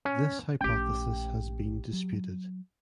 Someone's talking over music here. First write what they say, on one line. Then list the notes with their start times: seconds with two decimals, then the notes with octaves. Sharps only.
This hypothesis has been disputed.
0.05 C#4
0.61 A#1 A3 C#4 G4 G5
1.93 F#3